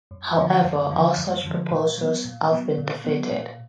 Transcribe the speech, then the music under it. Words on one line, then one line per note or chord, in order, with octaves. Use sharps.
However, all such proposals have been defeated.
F#2
D3 F3
F#2
D3 F3
F#2
D3 F3
A#2
F#3 B3
A#2
F#3 B3
A#2
F#3 B3
A#2